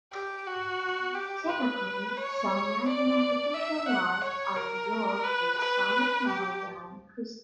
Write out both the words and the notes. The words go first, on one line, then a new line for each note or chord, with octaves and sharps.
Typically, sunlight and artificial light are absorbed by a solar panel behind the crystal.
G4
F#4
G4
B4
C#5
D5
E5
F#5
C#5
A#4
B4
B4
G4